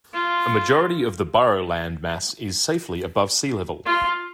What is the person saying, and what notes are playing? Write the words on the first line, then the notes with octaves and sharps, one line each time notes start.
A majority of the borough land mass is safely above sea level.
F4
F4